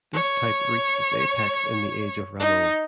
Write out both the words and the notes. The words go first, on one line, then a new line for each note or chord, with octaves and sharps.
This type reached its apex in the age of Rameau.
C#5
D#4